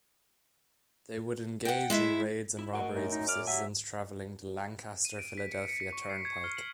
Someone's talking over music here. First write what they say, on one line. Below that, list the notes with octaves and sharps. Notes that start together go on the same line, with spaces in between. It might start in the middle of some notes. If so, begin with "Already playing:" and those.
They would engage in raids and robberies of citizens traveling the Lancaster Philadelphia Turnpike.
F#5 G5
G#3 E4 E5
E4
A2 F#4 A#4 D#5
F#2 D#4
D#4
D5 F6
F#3 G4 E5 G#5
D#7
D7
B6
C#7
C#7
B6
C#6
C7
G#6
F6
F#7